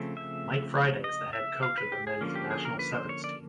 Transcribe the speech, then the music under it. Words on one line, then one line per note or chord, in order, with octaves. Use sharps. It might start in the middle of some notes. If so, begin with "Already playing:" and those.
Mike Friday is the head coach of the men's national sevens team.
Already playing: C#3 F3 A3 C4
E5
D#5
E5
F5
B4
G4
G#4
D3 F3 A#3 C#4
G4
G#4
A#4
B4
C5
C#5
D5